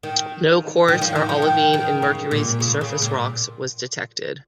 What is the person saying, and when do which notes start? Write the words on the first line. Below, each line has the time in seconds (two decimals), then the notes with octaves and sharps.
No quartz or olivine in Mercury's surface rocks was detected.
0.03 D#3
0.88 D#3
1.02 F3
1.15 D#3
1.29 F3
1.42 D#3
1.74 D#3
2.02 C#3
2.31 A#2
2.60 C#3
2.81 C#3
3.02 A#2